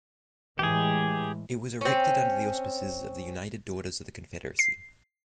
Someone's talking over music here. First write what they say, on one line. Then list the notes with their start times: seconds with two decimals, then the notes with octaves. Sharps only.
It was erected under the auspices of the United Daughters of the Confederacy.
0.59 A2 E3 G#3 G4 G#4
1.81 C4 C#4
4.59 C7